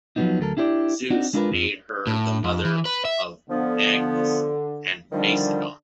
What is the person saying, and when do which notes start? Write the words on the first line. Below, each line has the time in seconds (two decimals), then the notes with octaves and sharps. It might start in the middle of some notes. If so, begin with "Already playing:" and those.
Zeus made her the mother of Magnes and Macedon.
0.16 F3 F#3 A3 B3 D4 D#4
0.40 D2 F#3 A4 A#4
0.57 D4 E4 G4 C5 D5
1.10 C4 D4 D#4 F#4
1.33 G#3 D4 E4 F4 A#4 B4
1.51 F2 F3
2.07 A2
2.44 F2
2.65 E3
2.85 B4
3.05 E5
3.50 D3 F3 B3
5.12 D3 D#3 F3 G3 D4